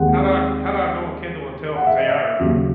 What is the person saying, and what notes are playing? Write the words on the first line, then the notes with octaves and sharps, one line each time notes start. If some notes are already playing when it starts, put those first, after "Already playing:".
how do I how do I go on Kindle and tell if it's AI or not?
Already playing: D#2 D#3 G#3 C4 F#5
F#5
E5
D#5
E5
D#2 C#3 F#3